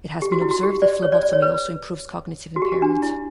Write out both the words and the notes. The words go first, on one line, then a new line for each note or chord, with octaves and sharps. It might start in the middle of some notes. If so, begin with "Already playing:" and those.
It has been observed that phlebotomy also improves cognitive impairment.
G4
F#4
E4
F#4
G4
D5
C#5
D5
D5
C#5
B4
F#4
G4
F#4
D4
E4